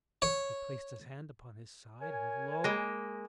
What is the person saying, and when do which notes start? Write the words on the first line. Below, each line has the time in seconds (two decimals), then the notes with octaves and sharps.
He placed his hand upon his side, and, lo!
0.22 C#5
2.00 A#4 C#5 G#5
2.64 G#3 A#3